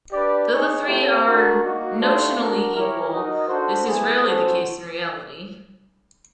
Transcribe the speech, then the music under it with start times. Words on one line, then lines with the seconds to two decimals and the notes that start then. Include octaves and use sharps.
Though the three are notionally equal, this is rarely the case in reality.
0.12 D4 G4 B4 D5
0.49 D#4 G#4 C#5
0.86 A3 C4 E4 G4
1.25 D4 F#4 A#4
1.62 A#3 D#4 F#4
1.99 A3 D4 G4 C5 F5
2.36 D4 F#4 A#4
2.73 E4 G4 A#4 C#5
3.11 D#4 F#4 A#4 D#5
3.48 D4 F#4 A4 C5
3.85 B3 E4 G#4
4.23 C#4 F#4 A4 C5